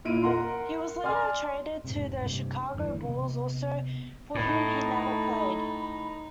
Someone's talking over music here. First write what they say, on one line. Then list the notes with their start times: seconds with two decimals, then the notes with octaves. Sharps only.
He was later traded to the Chicago Bulls, also for whom he never played.
0.05 A#2 E4 F4 D7 D#7
0.23 A#4 F#5 A#5 C6
1.03 D5 G#5 C6 F6
1.85 F1 G#2 C3
2.22 G2 C3
2.75 G1 G2 C#3 E3
3.04 C3 B3
4.35 A2 A3 D#4 B5